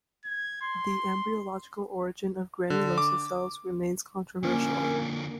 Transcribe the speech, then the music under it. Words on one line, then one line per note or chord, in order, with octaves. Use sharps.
The embryological origin of granulosa cells remains controversial.
G#6
C6
D3
D6
D3 F3 A#3 C#4